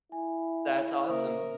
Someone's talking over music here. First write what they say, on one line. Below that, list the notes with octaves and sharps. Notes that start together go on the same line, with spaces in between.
That's awesome.
E4 G#5
C#3 A#3 A#4 C5 E5 D#6